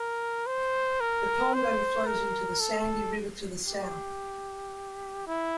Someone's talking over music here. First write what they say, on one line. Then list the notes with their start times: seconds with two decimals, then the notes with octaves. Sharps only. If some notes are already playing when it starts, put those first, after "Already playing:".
The pond overflows into the Sandy River to the south.
Already playing: A#4
0.47 C5
1.00 A#4
1.54 C5
2.06 A#4
2.60 A4
3.66 G4
5.26 E4